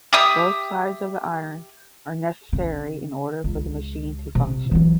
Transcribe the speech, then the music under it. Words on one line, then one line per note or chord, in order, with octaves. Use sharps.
Both sides of the iron are necessary in order for the machine to function.
G4 E5 D#6 E6
C#3
C#2
C3
E3 F#3